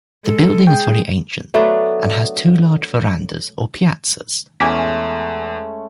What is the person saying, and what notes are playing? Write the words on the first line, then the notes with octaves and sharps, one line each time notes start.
The building is very ancient and has two large verandas or piazzas.
G#3 A4
G#4 G5
F#3 A3 B3 D4
E2 G#3 A3 C#4 G#5 D6 B6